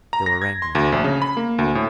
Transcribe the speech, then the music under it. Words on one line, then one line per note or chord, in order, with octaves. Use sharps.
They were wrangling.
A#5
A#6
G#6
C6
D2
A#1
C#3
B5
A#3
D2
A2